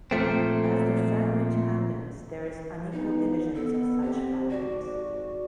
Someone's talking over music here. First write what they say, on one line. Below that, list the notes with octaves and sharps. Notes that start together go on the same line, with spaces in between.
As the fragment happens there is unequal divisions of such fragments.
A#2 F3 A3 C4
D3 B3 D#4
B3 A4
C4 G4
F2 G#2 F#4 D5